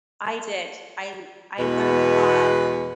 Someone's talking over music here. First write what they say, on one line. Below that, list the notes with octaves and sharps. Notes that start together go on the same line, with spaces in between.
I did, I l I learned a lot,
E2 B2 G#3 B4